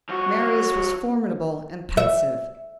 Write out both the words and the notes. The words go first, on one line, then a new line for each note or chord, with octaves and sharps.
Marius was formidable and pensive.
F3 F#4
E5